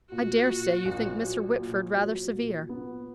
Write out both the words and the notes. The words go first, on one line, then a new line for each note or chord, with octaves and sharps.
I dare say you think Mr. Whitford rather severe.
A#2 F#4
A#2
A#1
F#3
A#2
F#3
A#2
B3